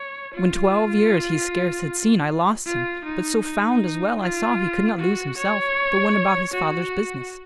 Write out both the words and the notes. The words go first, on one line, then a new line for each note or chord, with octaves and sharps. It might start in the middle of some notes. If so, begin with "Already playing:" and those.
When twelve years he scarce had seen, I lost him, but so found as well I saw He could not lose himself, but went about His Father's business.
Already playing: C#5
F4
F4
D#4
D#4
F4
F#4
C#5
F#4